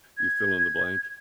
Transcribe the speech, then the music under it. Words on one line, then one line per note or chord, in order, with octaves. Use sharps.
you fill in the blank,
G#6